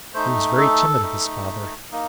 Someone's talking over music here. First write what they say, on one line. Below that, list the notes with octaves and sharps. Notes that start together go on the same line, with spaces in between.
He was very timid of his father.
A3 D#4 C5
A4
A3 D#4
A#3 D#4